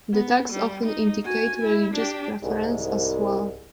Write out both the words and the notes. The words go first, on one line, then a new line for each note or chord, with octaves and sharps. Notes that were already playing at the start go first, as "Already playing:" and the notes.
The tags often indicate religious preference as well.
B3
G3
D#4
F#4 G#5
E4
D4 G4
C2 G#2